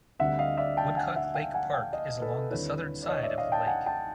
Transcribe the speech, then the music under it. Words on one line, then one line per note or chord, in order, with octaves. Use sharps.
Woodcock Lake Park is along the southern side of the lake.
D2 D3 G3 C4 E5 F#5
D#5 F5
D5 E5
G5 A5
F#5 G#5
E5 F#5
F5 G5
F#5 G#5
F5 G5
D#5 F5
A4 B4
D#2 D3 G3 C4 E4 B4 C#5
D5
C#5 D#5
D5 E5
D#5 F5
G5 A5
F#5 G#5
G5 A5